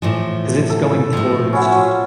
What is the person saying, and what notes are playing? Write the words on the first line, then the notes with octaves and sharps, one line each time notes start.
'Cause it's going towards
A2 E3 F3
A4
A2 F3
C#4 E4 F#4
F4